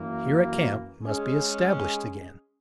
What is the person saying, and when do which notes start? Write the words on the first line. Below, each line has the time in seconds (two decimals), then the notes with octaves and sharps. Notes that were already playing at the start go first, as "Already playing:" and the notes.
Here a camp must be established again.
Already playing: F#2 E3 A#3
1.02 G#3 C#4 G#4